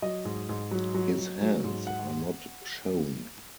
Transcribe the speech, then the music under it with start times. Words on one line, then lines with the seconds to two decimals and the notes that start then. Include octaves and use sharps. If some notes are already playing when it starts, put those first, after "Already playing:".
His hands are not shown.
0.02 F#3 D#5
0.25 G#2
0.49 G#2
0.71 F#3
0.95 F#3
1.18 F#3
1.41 F#3
1.64 G#2
1.87 F#5